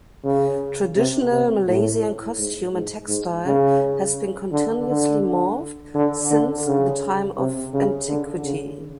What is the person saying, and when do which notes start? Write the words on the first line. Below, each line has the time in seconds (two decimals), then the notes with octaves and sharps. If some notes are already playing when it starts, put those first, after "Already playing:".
Traditional Malaysian costume and textile has been continuously morphed since the time of antiquity.
0.24 C#3
0.96 C3
1.32 C3
1.67 A2
2.38 G#2
2.74 G#2
3.09 G#2
3.46 C#3
4.52 D3
4.88 D3
5.95 D3
6.31 D3
6.66 C#3
7.37 C3
7.73 C#3
8.08 D3
8.44 C#3